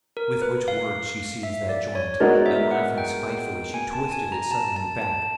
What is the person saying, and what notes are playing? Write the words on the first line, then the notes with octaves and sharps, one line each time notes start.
With which words she seized that joint, and laughing spitefully, she twisted it suddenly back.
A#4
B4
F5
E5
D5
C#5
G#3 B3 D#4 F#4 A#4 D5
E5
F#5
G5
G#5
A5
G#5
A#5
A5
A5
A5